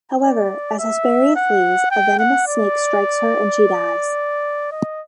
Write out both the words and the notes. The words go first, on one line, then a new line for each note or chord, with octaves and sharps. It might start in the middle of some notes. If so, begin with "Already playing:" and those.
However, as Hesperia flees a venomous snake strikes her and she dies.
D5
E5
F#5
G5
F#5
D5
D#5